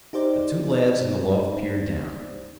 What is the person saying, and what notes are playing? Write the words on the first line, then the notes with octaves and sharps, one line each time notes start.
The two lads in the loft peered down.
D#4 G4 C5 D5